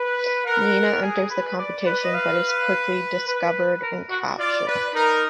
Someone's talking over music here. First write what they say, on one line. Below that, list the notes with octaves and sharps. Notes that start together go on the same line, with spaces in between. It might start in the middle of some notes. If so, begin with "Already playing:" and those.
Nina enters the competition, but is quickly discovered and captured.
Already playing: B4
A#4 F#5
G#4
B4
D5
B4
D#5
F5
B4
A#4
F#4
F4 D5
B4
D#4 A#4